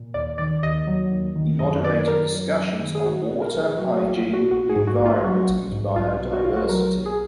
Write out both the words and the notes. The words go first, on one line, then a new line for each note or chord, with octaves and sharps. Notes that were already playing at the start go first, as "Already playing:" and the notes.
He moderated discussions on water, hygiene, the environment and biodiversity.
Already playing: A#2
D#2 D5
D#3 D5
D#2 D#5
F#3
D#2
D#3
F#2 D#5
D#3 D5
F#2 A#4
F#3
F#2
D#3
G#4
A#1 F#4
A#2
A#4
A#1
G#4
F#3 F#4
F#4
A#1
F4
A#2
F#4
A#1 F#4
G#4
G#2
F#4
A#1
F4
F#3 F#4
A#1
G#2
B1 F4
B2
F#4
B1 F4
F#4
F#3 A#4
B1
G#4